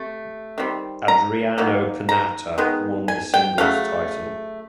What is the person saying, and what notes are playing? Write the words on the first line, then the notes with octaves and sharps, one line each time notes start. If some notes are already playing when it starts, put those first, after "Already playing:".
Adriano Panatta won the singles title.
Already playing: C3 A3
D#3 G3 C4
A#5
D#3 F#3 A#3
A#5
D#3 G#3 B3
G#5
G5
C#3 F#3 A3 F5